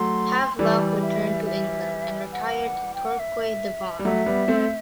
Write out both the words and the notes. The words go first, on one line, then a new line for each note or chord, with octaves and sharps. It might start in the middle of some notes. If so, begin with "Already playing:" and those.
Havelock returned to England, and retired to Torquay, Devon.
Already playing: F#3 A3 C6
E3 G3 D5
E5
E5
F#5
G5
F#5
E5
G3
F#3 A3 E5
G3 B3
A3 C4